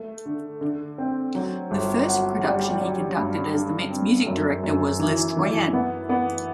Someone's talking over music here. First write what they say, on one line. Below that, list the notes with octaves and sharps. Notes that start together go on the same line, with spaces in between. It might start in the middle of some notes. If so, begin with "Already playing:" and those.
The first production he conducted as the Met's music director was "Les Troyens".
Already playing: A3
D3
D3
C4
F#3
G1
F#4
G3
F#3
G2
D3
C4
F#2
F#2
E3
E3
B3
B3